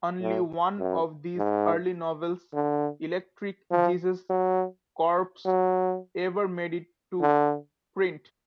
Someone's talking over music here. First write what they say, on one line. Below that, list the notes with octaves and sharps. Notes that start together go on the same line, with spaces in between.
Only one of these early novels, "Electric Jesus Corpse", ever made it to print.
A2
F#2
G#2
D3
F3
F#3
F#3
D3